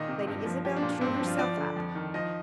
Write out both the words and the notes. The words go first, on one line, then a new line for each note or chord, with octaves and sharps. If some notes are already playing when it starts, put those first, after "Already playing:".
Lady Isabel drew herself up.
Already playing: A#2 D#3 D#5
C3
G2
F3
F3 G4
D4
A#2
D4
G2 C4
D4
F3
F4
F3 D5
D3
F2
D#3
F3 D#5